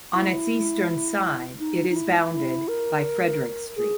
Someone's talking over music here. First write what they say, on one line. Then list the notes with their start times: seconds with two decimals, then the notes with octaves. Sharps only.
On its eastern side it is bounded by Frederick Street.
0.14 E4
1.60 D#4
1.90 D#4
1.96 E4
2.33 E4
2.68 A#4
3.77 G#4